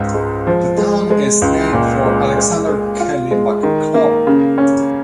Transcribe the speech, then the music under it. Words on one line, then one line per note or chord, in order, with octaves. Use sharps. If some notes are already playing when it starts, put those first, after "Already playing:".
The town is named for Alexander Kelly McClure.
Already playing: C#2 G#2
G#3
F3
G#3
G#3
C#2
A#2
G#3
G#3
G#3
F4
G#3
D#3
A#3
C#3
C#4